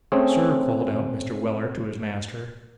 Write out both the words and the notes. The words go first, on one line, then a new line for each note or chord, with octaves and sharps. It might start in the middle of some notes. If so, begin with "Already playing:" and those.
'Sir,' called out Mr. Weller to his master.
A3 C4 C#4 G#4